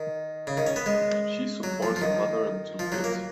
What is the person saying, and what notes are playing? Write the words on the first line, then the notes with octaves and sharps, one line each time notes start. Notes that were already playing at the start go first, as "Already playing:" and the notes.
She supports a mother and two kids.
Already playing: D#3
C#3
D#3
C#4
B3
G#3
F#3
F3
F3
D#3
F3
F#3
A#3